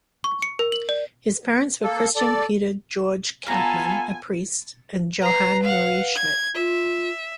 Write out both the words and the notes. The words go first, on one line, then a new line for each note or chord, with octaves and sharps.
His parents were Christian Peter Georg Kampmann, a priest, and Johanne Marie Schmidt.
C#6
C#7
A#4
F#7
D5
A#3 A4
A4 D5
B3 F4 A4 F5 G#5 A#5
B4 A#5 C7
F5 F#5
G#6
F4 E5